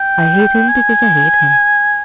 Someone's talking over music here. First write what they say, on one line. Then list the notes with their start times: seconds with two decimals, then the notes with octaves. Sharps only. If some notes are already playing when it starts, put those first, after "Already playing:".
I hate him because I hate him.
Already playing: G5
0.69 G#5